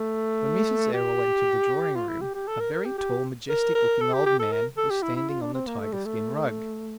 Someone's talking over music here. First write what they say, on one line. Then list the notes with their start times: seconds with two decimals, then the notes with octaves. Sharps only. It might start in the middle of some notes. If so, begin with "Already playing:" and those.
When Mrs. Errol entered the drawing-room, a very tall, majestic-looking old man was standing on the tiger-skin rug.
Already playing: A3
0.93 G4
1.96 F4
2.09 E4
2.21 G4
2.34 G4
2.47 A4
2.60 A#4
2.73 A#4
2.85 G4
2.98 G4
3.49 A#4
3.75 A#4
4.01 A4
4.13 G4
4.26 G4
4.39 A4
4.51 A#4
4.77 A4
4.90 G4
5.03 E4
5.16 E4
5.29 F4
5.42 D4
5.54 C4
5.67 A#3
5.80 A3
5.92 G3
6.05 A3